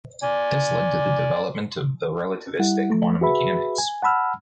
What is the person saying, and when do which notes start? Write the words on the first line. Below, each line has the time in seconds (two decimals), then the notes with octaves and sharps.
This led to the development of the relativistic quantum mechanics.
0.24 D5 G#5
2.59 G3 E4 F#5
2.90 F3 A3
3.21 F#4 G#4 B4 E5 B5
3.78 G#5
4.03 F#5 A5 B5 E6 F6